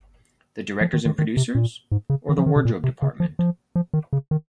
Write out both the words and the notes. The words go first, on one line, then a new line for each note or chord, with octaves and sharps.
The directors and producers or the wardrobe department?
F3
D#3
D#3
D#3
C3
A#2
G#2
C#3
D#3
F3
D#3
C3
A#2
C3
C#3
F3
F3
F3
D#3
C#3
D#3